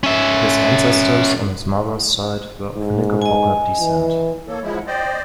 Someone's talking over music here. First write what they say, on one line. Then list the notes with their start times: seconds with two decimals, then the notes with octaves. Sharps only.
His ancestors on his mother's side were of Knickerbocker descent.
0.03 C#4 E5
2.76 G#2
3.22 D#5 G#5
3.81 E3
4.48 A#3 A4 C#5
4.63 F3 G#3 E4
4.74 F#5
4.87 C5 D5 D#5 G5